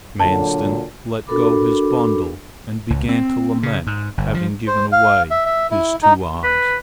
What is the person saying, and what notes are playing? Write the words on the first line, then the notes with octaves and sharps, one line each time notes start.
Manstin let go his bundle and began to lament having given away his two eyes.
A#2 D3 F#3 A5
D4 F#4 A4 A#4 B5 D6
C#2
C4
C#3
G#2
G1
F3
C5
F5
E5
E5
E4
D#4
B4